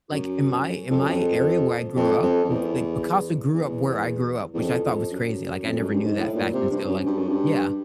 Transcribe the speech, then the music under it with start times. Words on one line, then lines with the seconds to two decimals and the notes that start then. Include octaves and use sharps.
like, in my in my area where I grew up, w like, Picasso grew up where I grew up, which I thought was crazy, like, I never knew that fact and so, like yeah.
0.12 F#2
0.90 F2
1.00 F#2
1.09 F2
1.96 F2
2.23 F2
2.45 F2
2.49 E2
3.54 E2
4.54 E2
4.60 F2
4.86 F2
5.12 F#2
5.66 F2
5.79 F#2
5.92 G2
6.05 G#2
6.18 A2
6.36 A#2
6.54 C3
6.71 G2
6.88 F#2
7.06 G2
7.18 F#2
7.29 G2